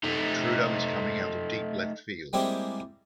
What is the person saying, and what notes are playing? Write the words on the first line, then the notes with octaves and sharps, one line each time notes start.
Trudeau is coming out of deep left field.
A3 D#4
G3 G#3 A#3 C4 E4 G4